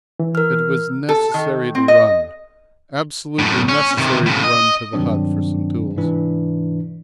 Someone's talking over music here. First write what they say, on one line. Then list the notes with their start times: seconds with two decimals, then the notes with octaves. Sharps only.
It was necessary to run, absolutely necessary to run to the hut for some tools.
0.19 E3
0.35 A#4 F6
1.09 A4
1.34 D#3
1.75 C4
1.88 D#5
3.39 F#2 A2
3.69 C#4
3.98 C3 D#3
4.26 A2 C#3
4.44 D#5
4.93 G2 C3 D#3 F#3 C4 D4
5.96 G#2 C3 E3 D4